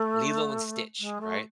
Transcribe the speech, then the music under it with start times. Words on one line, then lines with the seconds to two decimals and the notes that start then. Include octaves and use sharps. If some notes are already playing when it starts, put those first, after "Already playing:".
Lilo and Stitch, right?
Already playing: A3
1.00 G#3
1.20 A3